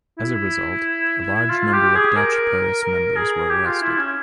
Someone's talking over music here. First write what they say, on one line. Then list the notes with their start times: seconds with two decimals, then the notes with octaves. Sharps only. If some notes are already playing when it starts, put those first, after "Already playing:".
As a result, a large number of Dutch-Paris members were arrested.
0.18 E4
1.50 F4
1.73 G4
1.95 G#4
2.17 A#4
2.83 A#4
3.16 G#4
3.49 G4
3.66 F4
3.82 E4
3.98 C#4